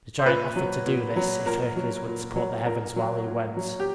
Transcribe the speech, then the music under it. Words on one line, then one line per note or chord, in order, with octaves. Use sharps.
The giant offered to do this if Hercules would support the heavens while he went.
C5
A#2 B4
F#3
A#2
F#3
A#2 A#4
F#3
A#2
F#3
A#2 A#4
F#3
A#2
F#3
G4